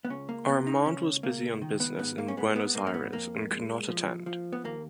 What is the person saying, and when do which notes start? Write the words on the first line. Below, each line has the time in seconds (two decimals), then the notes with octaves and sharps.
Armand was busy on business in Buenos Aires and could not attend.
0.05 B3
0.09 C#2 C#4
0.29 A#3
0.47 C#2 B3
0.67 D#4
0.85 C#2 C#4
1.23 C#2 A#3
1.62 D#3
1.80 B3
1.99 G#2 B3
2.18 A#3
2.28 C#4
2.37 G#3 B3
2.56 B3
2.75 G#2 A#3
2.87 A#3
2.94 B3
3.12 F2 A#3
3.50 G#3
3.89 F3
4.26 F3
4.53 B3
4.64 D#2 A#3